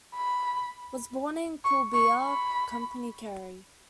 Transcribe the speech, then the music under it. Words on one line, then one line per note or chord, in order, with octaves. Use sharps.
Was born in Coolbeha, Company Kerry.
B5
C#6
C#6
B5